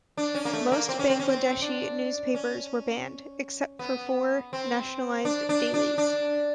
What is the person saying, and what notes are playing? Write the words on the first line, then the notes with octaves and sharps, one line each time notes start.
Most Bangladeshi newspapers were banned, except for four nationalised dailies.
D4
C#4
A#3
A3
A#3
C4
C#4
C4
C#4
C4
D4
C#4
B3
C4
D4
D4
D4
D4